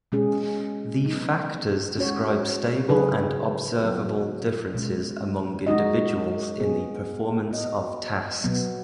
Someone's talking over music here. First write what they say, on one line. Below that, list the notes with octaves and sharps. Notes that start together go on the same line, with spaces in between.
The factors describe stable and observable differences among individuals in the performance of tasks.
B2 G#3 C#4 G#4
C#3 F#3 B3 D#4
G#3 C#4 F#4 C#5
C#3 F#3 D#4 G#4 B4
F#3 B3 F#4
B2 G#3 C#4
G#3 D#4 F#4 D#5
B2 B3 G#4
B3 F#4 D#5
B2 F#3 B3